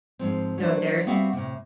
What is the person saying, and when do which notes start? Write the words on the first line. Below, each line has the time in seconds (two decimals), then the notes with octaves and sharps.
No. There's
0.19 G#2 F3 C4
0.58 F#3 A3 D4 C5
1.06 G3 B3 C4 F#4 E5 F5
1.33 A2 C3